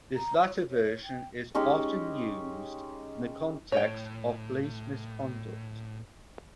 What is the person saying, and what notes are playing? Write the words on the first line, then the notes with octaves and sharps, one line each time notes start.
This latter version is often used in the context of police misconduct.
A#5
C#5
F4
C#5
G5
G#3 C#4 D#4 G4
A2 C#5 G5